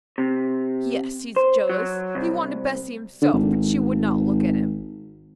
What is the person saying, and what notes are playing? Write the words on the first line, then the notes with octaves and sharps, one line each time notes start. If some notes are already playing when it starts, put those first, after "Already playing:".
Yes, he's jealous--he wanted Bessy himself, but she would not look at him.
C3
C5
F#3
C2
D3
G#1